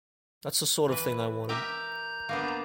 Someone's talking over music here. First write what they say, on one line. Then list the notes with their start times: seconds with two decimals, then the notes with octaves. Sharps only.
That's the sort of thing I wanted.
0.88 E3 B4
1.49 G4 A#4 E5 A#5 G6
2.29 A#3 B3 D4